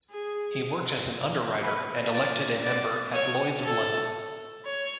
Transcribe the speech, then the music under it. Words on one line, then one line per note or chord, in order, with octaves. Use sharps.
He worked as an underwriter and elected a member at Lloyd's of London.
G#4
B4
D5
D5
C#5
A4
C#5